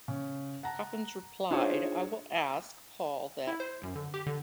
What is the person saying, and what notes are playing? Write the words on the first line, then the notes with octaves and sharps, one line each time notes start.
Coppens replied: I will ask Paul that ...
C#3
F#5 A5 A#5
D4 D#4 F4 G#4 C5 C#5
E4
C5
F#2
D3
G4
D3